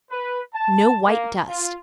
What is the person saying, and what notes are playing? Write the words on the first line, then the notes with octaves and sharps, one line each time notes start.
No white dust.
B4
A5
A#3
F4